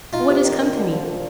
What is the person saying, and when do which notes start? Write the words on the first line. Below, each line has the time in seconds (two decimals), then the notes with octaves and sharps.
What is come to me!
0.13 D#4 F4
0.29 C3
0.44 D#3
0.60 D#3
0.75 D3
0.91 F3
1.07 A#2